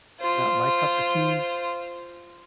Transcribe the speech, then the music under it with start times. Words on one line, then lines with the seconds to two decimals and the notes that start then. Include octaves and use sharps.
It's not my cup of tea
0.20 F4 C5